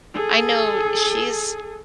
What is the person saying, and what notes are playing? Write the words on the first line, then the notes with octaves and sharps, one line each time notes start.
I know she's
G#4 A4